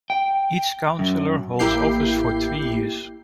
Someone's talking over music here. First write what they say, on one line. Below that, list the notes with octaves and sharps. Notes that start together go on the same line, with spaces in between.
Each councilor holds office for three years.
G5
F#2
A1 A#3 E4 G4 G6 C7